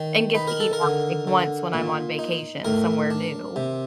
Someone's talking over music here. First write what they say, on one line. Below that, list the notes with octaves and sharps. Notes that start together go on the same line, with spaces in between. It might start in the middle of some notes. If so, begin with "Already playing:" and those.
And get to eat out, like, once when I'm on vacation somewhere new.
Already playing: D#3
D#4 B4
A#4
A4
A#4
D3
D3
A#2
D#4
A2 A#4
D4
C3